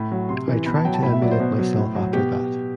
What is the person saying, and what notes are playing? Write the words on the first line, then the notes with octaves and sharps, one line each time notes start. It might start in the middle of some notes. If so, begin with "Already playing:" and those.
I try to emulate myself after that.
Already playing: A2 B5
F#3
C3 C6
E3
B2 B5
A5
F#3 G5
A5
A2 B5
E5
F#3 D5
C5
B2
F#3
A2
F#3
B2 G4